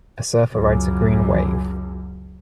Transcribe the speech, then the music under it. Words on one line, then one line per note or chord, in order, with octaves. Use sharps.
A surfer rides a green wave.
C#2 F#2